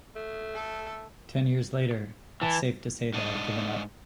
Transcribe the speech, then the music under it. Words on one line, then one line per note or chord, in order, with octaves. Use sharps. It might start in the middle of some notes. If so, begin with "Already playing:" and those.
Ten years later, its safe to say that I've given up.
A3
A4
E3 A5
G#2 D4 G#4 D#5